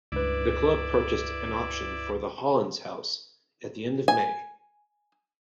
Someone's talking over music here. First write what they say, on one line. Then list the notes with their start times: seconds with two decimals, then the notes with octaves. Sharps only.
The club purchased an option for the Hollins house at the end of May.
0.12 C#2 G2 E4 B4 D5
4.08 G#5